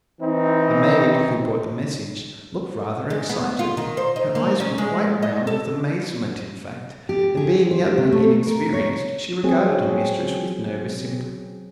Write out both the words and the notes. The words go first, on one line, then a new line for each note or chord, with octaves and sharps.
The maid, who brought the message, looked rather excited; her eyes were quite round with amazement, in fact, and being young and inexperienced, she regarded her mistress with nervous sympathy.
E3 C4 D#4
G#3
B3
F4
D#3
C5
D#4
A#3
C#4
G#3
D#5
A4
G4
G#4
C5
G4
C3
A3
A#4
C#5
F#3 C4 G#4